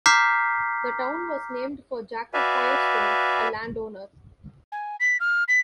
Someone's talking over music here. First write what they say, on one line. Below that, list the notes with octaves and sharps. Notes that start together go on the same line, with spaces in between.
The town was named for Jacob Firestone, a landowner.
A#5 D6 F6 G6 B6 C7
F#4 B4 D5 E5 F5 G#5
G#5
B6
F6
B6